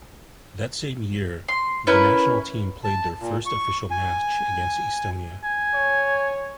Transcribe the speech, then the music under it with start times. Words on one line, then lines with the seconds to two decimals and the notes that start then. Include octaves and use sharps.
That same year the national team played their first official match against Estonia.
1.48 C6
1.87 C#4 E4 A#4 B4
2.84 A5
3.20 A#2
3.46 C#6
3.91 G#5
5.44 G#5
5.75 C#5